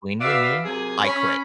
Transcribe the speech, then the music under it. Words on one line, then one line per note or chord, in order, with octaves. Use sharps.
between you and me, I quit.
F#4 B4 D5 E5 F5
C3 F#3 G#4 A#4 G#5
C#4 B5